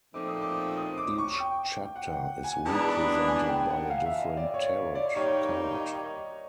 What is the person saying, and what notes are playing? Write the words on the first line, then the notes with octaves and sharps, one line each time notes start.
Each chapter is represented by a different Tarot card.
A#2 F3 A3 C4 D#4 D6
D#6
D6
D#6
D6
C#6
G5
F#5
G5
G#5
E3 G#3 B3 D4 A5
A#5
A5
G#5
G5
F#5
F5
E5
D#5
D5
C#5
D5
D#3 G3 A#3 D#4 G4 C#5
D#5